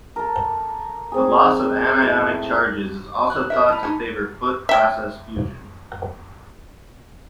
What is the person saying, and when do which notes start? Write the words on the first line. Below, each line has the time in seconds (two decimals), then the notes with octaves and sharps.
The loss of anionic charges is also thought to favor foot process fusion.
0.16 A4 A#4
1.12 C4 G#4
2.02 A2
3.30 F#6
3.50 G4 A#4 E5
3.69 E3 A5 B5
3.83 D#4 F#4 G#5
4.69 E5 G5